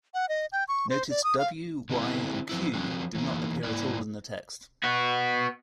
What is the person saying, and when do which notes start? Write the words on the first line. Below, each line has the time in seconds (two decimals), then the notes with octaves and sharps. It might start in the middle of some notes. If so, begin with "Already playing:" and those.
Notice "w", "y", and "q" did not appear at all in the text.
0.14 F#5
0.29 D#5
0.52 G5
0.68 C#6
0.90 C5
1.10 D5
1.24 D#6
1.38 F5
1.90 D3 C4 E4 G4
2.49 F3 C4 E4
2.74 F3 C4 D4 F#4
3.15 E3 A#3 B3 D#4
3.63 G#2 A#3 E4 D5
4.84 B3 F#4